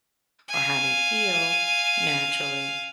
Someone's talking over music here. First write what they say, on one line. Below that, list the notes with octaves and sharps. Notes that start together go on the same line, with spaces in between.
or how they feel, naturally.
F5 G#5